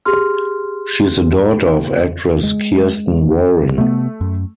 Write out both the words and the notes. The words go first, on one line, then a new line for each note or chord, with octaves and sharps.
She is the daughter of actress Kiersten Warren.
G4 G#4 C6 F6
G#3
C3 A3 B3
F#2